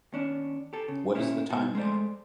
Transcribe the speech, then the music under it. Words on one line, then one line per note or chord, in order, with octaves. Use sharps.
What is the time now?
D#2 C#4 D4
G4 A4
C#3
A#2 A#3 C#4 E4
B2 F#4 A5
G#3 A3 C5 D5